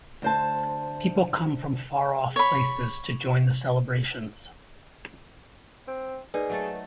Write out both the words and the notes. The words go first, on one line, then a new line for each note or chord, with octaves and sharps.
People come from far off places to join the celebrations.
D2 C5 A5
C#5 B5
C4
A#3 D#4 G#4 B4 D5
F#3 A3 A4